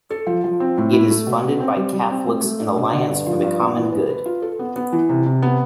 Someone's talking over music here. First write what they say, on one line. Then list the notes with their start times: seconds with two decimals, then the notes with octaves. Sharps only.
It is funded by Catholics in Alliance for the Common Good.
0.10 A4
0.27 F3
0.44 F3
0.60 C4
0.78 A2
0.93 E4
1.10 A3
1.27 B2
1.43 B2
1.60 C4
1.77 G3
1.93 G3
2.10 C4
2.27 A3
2.44 A3
2.60 D4
2.77 B2
2.93 D3
3.09 G2
3.26 F3
3.42 G2
3.60 B3
3.76 E3
3.92 B4
4.10 B4
4.26 F4
4.42 A4
4.59 B3
4.76 B3
4.93 E3
5.09 C3
5.26 C3
5.42 B3